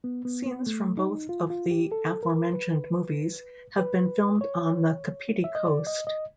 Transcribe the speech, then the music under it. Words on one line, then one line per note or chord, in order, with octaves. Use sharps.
Scenes from both of the aforementioned movies have been filmed on the Kapiti Coast.
B3
B3
B3
A3
D#4
F4
F4
G4
A4
A#4
B4
B4
C#5
E5
D#5
D5
D#5
D#5